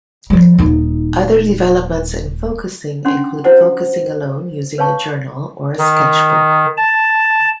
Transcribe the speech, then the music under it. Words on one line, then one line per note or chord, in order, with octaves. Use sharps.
Other developments in Focusing include focusing alone using a journal or a sketchbook.
F3 G3
D#1 D#4
C#4 D4 E4 F#5 G5 C6
E4 F#4 C5 F#5
B4 C#5 F5 A5 C#6
D#3
A5